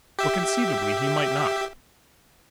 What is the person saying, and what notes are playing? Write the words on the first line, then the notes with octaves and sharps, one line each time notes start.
But conceivably he might not.
G4 E5